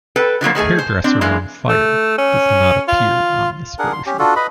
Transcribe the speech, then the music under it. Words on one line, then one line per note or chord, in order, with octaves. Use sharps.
"Hairdresser on Fire" does not appear on this version.
A4 B4 G5
D3 F3 F#3 A#3
D#3 A3 G#4 G#5
C5
C4 D4
E3 G#3 A#3
A3
C#4
F4
D4 G#4 A#4 F#5
C6
C#4 G4
D4 F4 F#4 A4
B4 D#5 B5